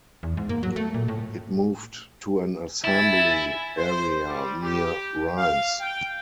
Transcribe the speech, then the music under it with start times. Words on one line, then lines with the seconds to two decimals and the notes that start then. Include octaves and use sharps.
It moved to an assembly area near Rheims.
0.23 E2
0.37 G#2
0.49 A#3
0.63 F#3
0.76 A3
0.94 A#2
1.08 A2
2.84 E4 E5 G#5 A6
3.77 C5
4.28 G3
4.62 G4
5.38 F5
5.80 G5